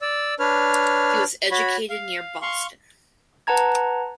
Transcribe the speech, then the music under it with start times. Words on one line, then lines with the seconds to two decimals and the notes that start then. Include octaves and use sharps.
He was educated near Boston.
0.02 D5 E6
0.40 D4 B4 C#5 F6
1.51 F#4 C#5 B5
1.90 F5
2.42 F5 C6 C#6
3.47 B4 F#5 A5 A#5 G#6